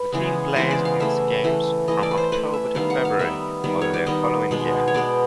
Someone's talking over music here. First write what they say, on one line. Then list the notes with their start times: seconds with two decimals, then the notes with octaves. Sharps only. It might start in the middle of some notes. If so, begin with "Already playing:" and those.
The team plays its games from October to February of the following year.
Already playing: B4
0.13 C#3 E3 G#3 B3
0.56 C#3 E3 G#3 B3 C5
0.71 D5
0.85 F5
1.00 E3 A3 E5
1.44 E3 A3
1.88 E3 A3 D#5
2.03 D5
2.11 B4
2.17 C5
2.32 E3 A3 B4
2.54 E5
2.75 D#3 G3 B3 F5
2.90 F#5
3.05 F5
3.19 D#3 G3 B3 E5
3.64 D#3 G3 B3
3.81 C#5
3.94 D5
4.07 D#3 G3 B3 D#5
4.51 B2 G#3 B3
4.88 C#5
4.94 B2 G#3 B3 D5